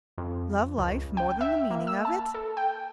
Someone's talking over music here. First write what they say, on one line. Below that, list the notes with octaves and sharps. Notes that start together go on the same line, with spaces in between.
"Love life more than the meaning of it?"
F2
C#2
G5
E5
A#3
E6
A5
A4
G5